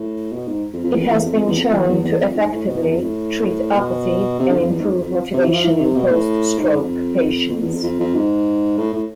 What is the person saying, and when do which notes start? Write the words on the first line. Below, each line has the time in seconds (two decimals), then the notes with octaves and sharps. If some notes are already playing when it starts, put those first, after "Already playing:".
It has been shown to effectively treat apathy and improve motivation in post-stroke patients.
Already playing: A2
0.32 B2
0.47 G#2
0.73 F2
0.84 F2
0.94 E2
1.02 F2
1.10 E2
1.26 F2
1.36 F2
1.47 E2
1.57 F2
1.73 E2
1.89 E2
2.04 E2
2.20 F2
2.35 G#2
2.51 A2
2.67 B2
2.82 E2
2.93 F2
3.03 A2
3.76 B2
4.39 C3
4.49 D3
4.60 F2
4.70 E2
4.80 G#2
4.91 F2
5.02 F2
5.33 C3
5.44 E3
5.54 F3
5.64 E3
5.80 C3
5.96 B2
6.11 A2
6.58 G#2
6.69 G#2
6.80 F2
7.52 F2
7.62 E2
7.73 F2
7.84 F2
8.00 F2
8.15 G#2
8.78 A2
8.93 A2